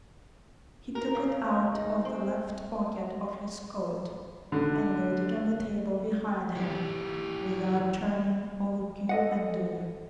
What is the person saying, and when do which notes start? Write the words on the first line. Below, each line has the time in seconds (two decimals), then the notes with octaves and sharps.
He took it out of the left pocket of his coat and laid it on the table behind him, without turning or looking at Dounia.
0.95 A#4
1.15 C#3
1.75 D#4
2.05 C4
4.52 D3
6.56 E3 G4
9.09 A4 D#5 F#5